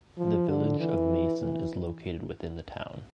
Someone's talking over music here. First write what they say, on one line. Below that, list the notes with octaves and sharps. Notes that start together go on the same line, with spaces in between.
The Village of Mason is located within the town.
F3
D3
E3
E3